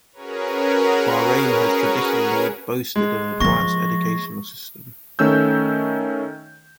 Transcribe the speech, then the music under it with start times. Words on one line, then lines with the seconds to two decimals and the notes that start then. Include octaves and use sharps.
Bahrain has traditionally boasted an advanced educational system.
0.13 C#4 F#4 G#4 A#4 B4 C#5
2.96 G#3
3.40 F3 A#3 C#6 A#6
5.19 D#3 A3 C#4 E6 G6